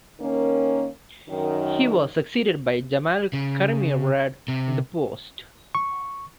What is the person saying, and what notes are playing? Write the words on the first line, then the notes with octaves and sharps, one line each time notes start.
He was succeeded by Jamal Karimi-Rad in the post.
D#3 A#3 C#4
F#2 D#3
C#3
C3
C#6